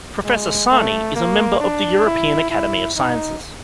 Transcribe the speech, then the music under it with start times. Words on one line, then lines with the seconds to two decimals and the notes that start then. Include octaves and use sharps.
Professor Sahni is a member of the European Academy of Sciences.
0.24 G#3
0.71 A3
1.15 A#3
1.60 D4
2.06 E4
2.51 E4
2.97 D#4